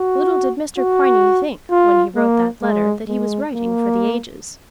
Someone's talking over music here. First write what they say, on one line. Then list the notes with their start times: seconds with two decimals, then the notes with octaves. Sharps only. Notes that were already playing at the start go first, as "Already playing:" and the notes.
Little did Mr. Quiney think, when he wrote that letter, that he was writing for the ages.
Already playing: F#4
0.78 F#4
1.71 F4
2.16 A#3
2.62 G#3
3.08 G#3
3.54 A#3